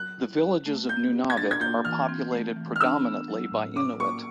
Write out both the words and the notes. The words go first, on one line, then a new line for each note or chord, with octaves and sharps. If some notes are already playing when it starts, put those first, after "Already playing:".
The villages of Nunavik are populated predominately by Inuit.
Already playing: F#3 F#6
E4
C#4
A3
A#3 G6
G4
G#6
D4 A6
G#6
A#3 G6
E3 F6
C4
A3
E3
F6
D4 E6
B3
F#3
A2
C#4 D6
A#3 C#6